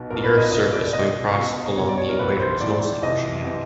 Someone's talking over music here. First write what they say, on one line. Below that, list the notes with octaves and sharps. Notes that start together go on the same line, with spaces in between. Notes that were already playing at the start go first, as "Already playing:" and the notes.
The earth’s surface, when crossed along the Equator, is mostly oceanic.
Already playing: B1 B2
B1 B2 A#4
B4
D#5
C2 A#2 D#5
D5
C2 A#2 D#5
C#2 B2
C#2 B2 C#5
D5
C#5
A#4
B1 A2 E3 B4
C5
B1 A2 E3 D5
C2 C3 E3 D#5
C3 E3